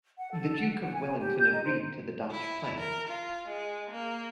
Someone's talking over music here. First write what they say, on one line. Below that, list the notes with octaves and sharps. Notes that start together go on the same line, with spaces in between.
The Duke of Wellington agreed to the Dutch plan.
F#5
A4
F#5
F#5
G#5
G4
G6
D#4
C5
E4
A#4
F4
G#3
A#3